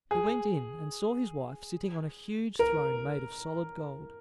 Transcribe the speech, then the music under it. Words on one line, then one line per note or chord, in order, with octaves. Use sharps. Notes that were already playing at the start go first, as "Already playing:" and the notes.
He went in, and saw his wife sitting on a huge throne made of solid gold.
G#4
A#4